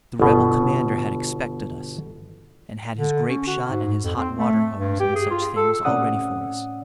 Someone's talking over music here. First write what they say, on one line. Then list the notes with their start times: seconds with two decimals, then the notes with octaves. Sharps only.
The Rebel commander had expected us, and had his grape shot and his hot water hose, and such things all ready for us.
0.20 G1 B2
2.97 D3
3.29 C#4
3.47 F#4
3.69 G#2
4.03 F2
4.16 C4
4.38 A3
4.77 G2
5.00 G4
5.15 G#4
5.30 F4
5.56 A4
5.85 A2 C3 C#4 D5 F#5 D#6